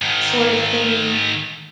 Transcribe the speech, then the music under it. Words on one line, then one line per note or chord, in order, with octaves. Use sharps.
sort of thing
G#2 D#3